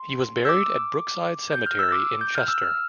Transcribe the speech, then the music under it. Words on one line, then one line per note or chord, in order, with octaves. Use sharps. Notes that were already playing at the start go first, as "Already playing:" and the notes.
He was buried at Brookside Cemetery in Chester.
Already playing: C6
E6
D6
G6
F6
E6
D6
G6
F6
E6
F6